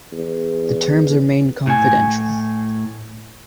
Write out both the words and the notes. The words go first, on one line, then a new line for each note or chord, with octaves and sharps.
The terms remain confidential.
E2
A2 G#5